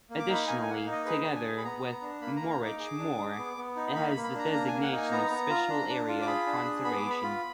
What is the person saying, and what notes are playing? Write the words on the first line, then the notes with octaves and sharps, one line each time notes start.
Additionally, together with Morrich More, it has the designation of Special Area of Conservation.
A#3
D6
D#4
B5
A#3 G#5
G#5
A#3 F#5
F5
D#4
D#5
G#4 B4
D4
G#5
G#4
B5
B3 A#5
B3
D4
A#3 B5
A#3 A#5
A#5
D#4
D6
G#4 D6
D4
G#4
B3
B3
D#4
A#3 B5
B5
A#3
B5
D4 A#5
A#3 A#5
A#3 G#5
F#5
D#4 G#5
B3 A#5
B3
F4
D4
D4
F4
D6
G#4 B5
D4
G#4
B3 B5
D6
B3
B5
F4